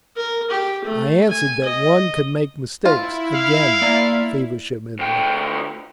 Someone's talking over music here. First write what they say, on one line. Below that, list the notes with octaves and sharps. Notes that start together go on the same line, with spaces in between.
"I answered that one could make mistakes," again Feversham interrupted.
A#4
G4
A3
G#5
D#5
E4 F4
F5
A#3 D5 A#5
D2 G5